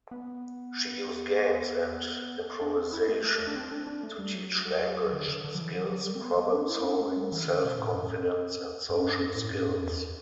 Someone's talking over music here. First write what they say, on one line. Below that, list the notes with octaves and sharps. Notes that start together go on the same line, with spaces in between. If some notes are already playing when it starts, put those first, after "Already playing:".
She used games and improvisation to teach language skills, problem-solving, self-confidence and social skills.
B3
D4
C4
E4
A3
A3
D4
C4
D4
D4
A3
G3
F#3
D3
D3
D3
F#3
E3
F#3
F#3
G3
C4
B3
B3
D4
E4
D4
A3
G3
E3
D3
B2
A2
F#2
G2
G2
F#2
A2
G2
F#2
E2